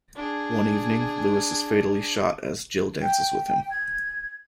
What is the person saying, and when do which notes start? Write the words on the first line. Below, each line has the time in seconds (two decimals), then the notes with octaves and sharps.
One evening, Louis is fatally shot as Jill dances with him.
0.16 D4 G#4
3.01 G5
3.70 G#6